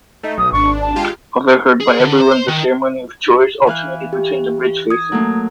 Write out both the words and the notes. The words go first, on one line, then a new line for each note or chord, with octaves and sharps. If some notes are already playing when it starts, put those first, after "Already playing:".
Although heard by everyone, the ceremony of choirs alternated between the bridge facings.
A3 D#4
B1 D#6
G#1 D4 C#6
A5
G#3 F4 G4
G#4
D3
C5
D#3
E3 F5 F#6
G4
D#6 G#6
F#3 A3 A#3